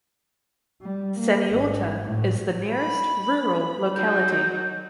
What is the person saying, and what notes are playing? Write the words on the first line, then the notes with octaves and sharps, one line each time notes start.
Saniorta is the nearest rural locality.
G3
A#3
G#1
A2
B5
F#3 D#4 G6